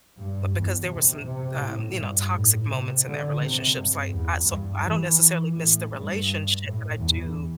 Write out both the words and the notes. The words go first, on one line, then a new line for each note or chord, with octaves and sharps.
but because there were some, um, you know, toxic moments in that relationship. So, I I, so I don't necessarily miss the relationship, but I do
G2
E2
C3
C3
A2
G2
A2
C3
D3
C3
G2
E2
G2
E3
A2
G2
A2
E2